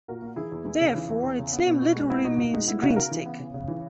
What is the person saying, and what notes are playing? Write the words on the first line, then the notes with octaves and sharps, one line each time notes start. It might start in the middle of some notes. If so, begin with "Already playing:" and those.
Therefore, its name literally means green stick.
A#2 F#4 A#4
A#3
E3 E4 G#4
E2
E2
C#3
E3
E2
E2
C#3
B3
B2
B2
G#3
B3 E4
B2 D#4
B2 D#4
G#3 D#4
B3 E4
C#3 D#4 F#4
C#3 F#4 A#4
E3
B3
C#3
C#3
E3